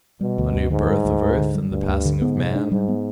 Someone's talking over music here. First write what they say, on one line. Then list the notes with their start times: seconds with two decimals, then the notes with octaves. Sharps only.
A new birth of Earth and the passing of man?
0.21 B2 G3
0.38 D2
0.54 D2
0.71 G#2 D3
0.88 G3
1.05 D2
1.21 D2
1.38 D3
1.54 G3
1.71 D2 G2
1.88 D2
2.05 D3
2.22 G#2 B3
2.38 C3
2.55 D4
2.72 G#2 G3
2.88 B3